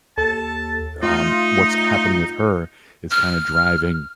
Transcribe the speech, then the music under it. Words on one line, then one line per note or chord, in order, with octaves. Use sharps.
Um, what's k happening with her is kinda driving
D#2 A4 A5
A3 D#4 F4
F6